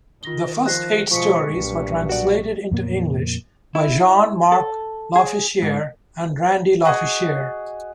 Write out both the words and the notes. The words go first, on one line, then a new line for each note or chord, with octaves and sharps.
The first eight stories were translated into English by Jean-Marc Lofficier and Randy Lofficier.
D#3 F4 A#6 G7
F3 F#6 A#6 C7
B2 F3 G#3 C#6 B6 C#7
B1 G2 A#2
F#4 D5
F2 A#2 A#3 B3
E4
A4
G#4
G#2
F#4 G#4 D#5